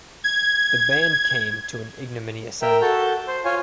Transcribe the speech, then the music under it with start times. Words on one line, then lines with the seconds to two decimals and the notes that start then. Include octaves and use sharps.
The band came to an ignominious end.
0.24 G#6
2.62 A#4 E5 G5
2.82 F#4 A4 A5 G6
3.28 C5
3.45 F4 C#5 G#5